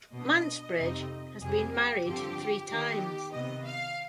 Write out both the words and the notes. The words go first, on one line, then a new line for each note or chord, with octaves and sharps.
Mansbridge has been married three times.
B2 B3 D4 D#5
F2 C3 G3 C4 D#4
F2 C3 G3 G#4
G4
G2 D3 F3 C4 G4
D#3 B3 D#4 G4
C3 D#3 B3 D#5
F5